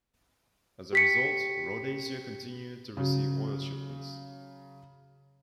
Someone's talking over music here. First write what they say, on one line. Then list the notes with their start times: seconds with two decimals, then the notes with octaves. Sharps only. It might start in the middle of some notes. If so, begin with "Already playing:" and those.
As a result, Rhodesia continued to receive oil shipments.
0.93 G4 B6 C#7
2.97 C#3 F#3